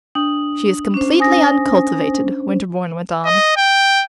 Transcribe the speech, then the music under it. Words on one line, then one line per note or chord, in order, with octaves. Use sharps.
"She is completely uncultivated," Winterbourne went on.
D4 D#6 F#7
C#4 D4 C5
G#5 D#6 A#6
D#5
G5